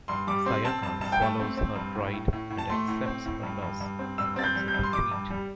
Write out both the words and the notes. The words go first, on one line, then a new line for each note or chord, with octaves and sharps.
Sayaka swallows her pride and accepts her loss and calls a retreat.
G2 C6
G3 D6
C4 C6
C4 A5
G2 A5
G2 A5
G5
A3 A5
C4
C4
G2
A2
A2
A2
A2
A5
A3 C6
A2
C4
A2
G2
G2
G2
C4
G2 E6
C4 A6
G6
G3
G6
G2
C6
G2 D6
G2
G3